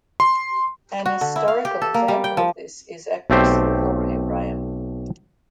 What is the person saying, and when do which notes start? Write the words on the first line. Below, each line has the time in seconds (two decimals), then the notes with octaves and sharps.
An historical example of this is actress Gloria Grahame.
0.20 C6
1.06 F#4
1.21 D3
1.36 E4
1.48 F5
1.65 G4
1.82 A4
1.94 A#3
2.08 G3
2.24 G5
2.37 F3
3.30 B1 A3 C4 G4 C5